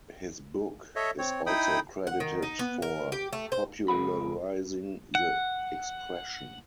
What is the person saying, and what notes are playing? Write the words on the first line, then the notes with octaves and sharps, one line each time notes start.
His book is also credited for popularizing the expression.
A4 C#5 D#5 E5
C4 C#5
D#4 E4 G5 B5 D#6
F#5
D#3
D#4
B3
A#4
G4
A3
C5
C#2 G#4 A#4 F#5 B5
F#5